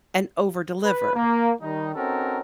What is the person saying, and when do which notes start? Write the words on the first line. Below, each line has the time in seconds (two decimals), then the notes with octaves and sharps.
and overdeliver.
0.85 B4
1.14 A#3
1.62 D#3 G3 D#4
1.95 C4 C#4 D#4 F#4 A4 A#4